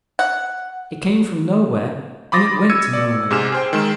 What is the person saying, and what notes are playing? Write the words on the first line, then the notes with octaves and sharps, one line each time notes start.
It came from nowhere, and it went to nowhere.
F#5
B5 C6 D6 D#6 A6 A#6
E6 G#6 C#7 D#7
D5
G#2 C3 G#4 F6 E7
G#4 C5 G5
D#3 G#3 E7